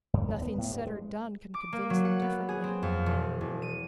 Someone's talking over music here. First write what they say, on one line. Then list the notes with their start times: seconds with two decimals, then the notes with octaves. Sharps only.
Nothing said or done can convince them differently.
0.14 G2
0.28 D#2
0.42 B3
0.58 A2
0.71 G2
0.86 G#3
1.54 D6
1.73 A#3
1.90 F#3
2.05 F#5
2.22 B3
2.49 G#4
2.64 C4
2.83 F2
3.06 E1
3.41 E1
3.62 D#7